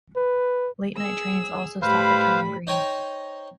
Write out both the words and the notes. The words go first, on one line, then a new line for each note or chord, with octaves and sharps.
Late night trains also stop at Turnham Green.
B4
G#4 E6
A2 G3 B4 C5 F5 B5
D#4 C5 C#5 D#5 G5 A#5